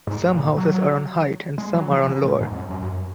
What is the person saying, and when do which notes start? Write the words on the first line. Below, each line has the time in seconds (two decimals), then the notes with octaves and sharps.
Some houses are on height and some are on lower.
0.07 G#2
0.32 A#2
0.57 F#3
1.58 G#3
1.74 F#3
1.91 F3
2.08 C#3
2.24 A#2
2.41 G#2
2.52 F2
2.58 F#2
2.70 F#2
2.82 F#2